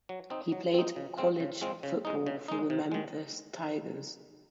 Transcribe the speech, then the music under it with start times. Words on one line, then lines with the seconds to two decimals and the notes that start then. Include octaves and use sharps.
He played college football for the Memphis Tigers.
0.09 F#3
0.30 C4 D#4
0.52 F#3
0.74 C4 D#4
0.96 C#3
1.18 G#3 C4 F4
1.40 C#3
1.61 G#3 C4 F4
1.83 C#3
2.05 G#3 D#4
2.26 C#3
2.48 G#3 D#4
2.70 C3
2.92 D#3 G#3